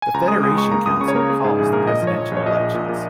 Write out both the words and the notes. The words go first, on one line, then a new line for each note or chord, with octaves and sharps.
The Federation Council calls the presidential elections.
G#5
C#2 A#5
G#3 D#6
C#2 D#6
G#3 C#6
A#3 A#5
C#2 D#6
C#3 C#6
C#5
A#3 A#4
A#3 G#4
G#2 G#4
A#1 G#4
A#3 A#4
A#2 D#5
F3
C#5
F3
A#1
C#5
A#1 D#5
A#2
A#2
A#2